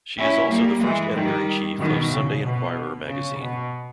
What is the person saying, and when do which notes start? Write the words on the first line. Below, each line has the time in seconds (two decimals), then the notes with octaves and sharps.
She is also the first editor in chief of Sunday Inquirer Magazine.
0.16 C#4 E4
0.49 G3 A#3
0.81 E3 G#3
1.14 D#3 G3
1.79 B2 D#3
2.11 C#3
2.43 B2
3.08 C#3
3.40 B2